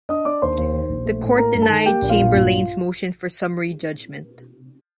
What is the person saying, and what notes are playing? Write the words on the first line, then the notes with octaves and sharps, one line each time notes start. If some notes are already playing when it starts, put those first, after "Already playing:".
The court denied Chamberlain's motion for summary judgment.
D4 D#5 D#6
D4 D5 D6
D#2 C5 C6
D#2
D#3
A#1
A3
A2
A#3 A#4 A#5
G2
A4 A5
D#3
A#3 G4 G5
A#1
F4 F5
A#2
G2